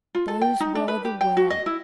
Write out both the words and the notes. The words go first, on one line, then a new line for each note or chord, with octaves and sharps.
Those were the words!
F4
A4
G5
D#4
D4
B4
G4
G5
F#4
D#5
E4